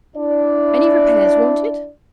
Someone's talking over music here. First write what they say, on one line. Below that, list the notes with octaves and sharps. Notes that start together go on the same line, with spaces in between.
Any repairs wanted?'
D4 E4 D5